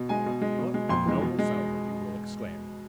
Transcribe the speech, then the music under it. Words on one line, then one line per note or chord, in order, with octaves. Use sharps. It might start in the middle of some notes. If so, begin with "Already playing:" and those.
"What a noble fellow!" you will exclaim.
Already playing: B2
G#3 G#5
B2
G#3
B2
G#3
F2 C6
E3 G#3
B2
G#3